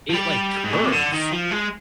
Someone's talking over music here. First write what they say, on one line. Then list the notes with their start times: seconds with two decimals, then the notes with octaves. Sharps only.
it, like, curves
0.09 F3
0.13 G3
0.64 G#2
0.73 A#2
0.83 C3
0.92 D3
1.12 D#3
1.31 F3
1.51 G#3